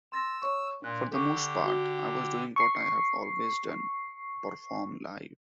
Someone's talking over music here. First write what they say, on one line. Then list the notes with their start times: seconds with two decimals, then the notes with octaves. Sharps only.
For the most part, I was doing what I have always done...perform live.
0.12 C6 E6 A6 A#6
0.42 C#5 C#6
0.82 A#2 D4 F#6
1.12 D3 G4 A4 C#6
1.64 F#4 G7
2.56 C#6 C7